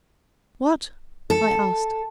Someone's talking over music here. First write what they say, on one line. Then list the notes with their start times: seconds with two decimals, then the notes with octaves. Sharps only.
"What?" I asked.
1.30 A4